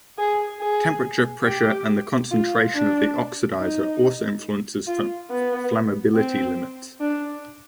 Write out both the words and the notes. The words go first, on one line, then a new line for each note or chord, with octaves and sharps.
Temperature, pressure, and the concentration of the oxidizer also influences flammability limits.
G#4
G#4
G4
F4
D4
D#4
F4
B3
C4
D4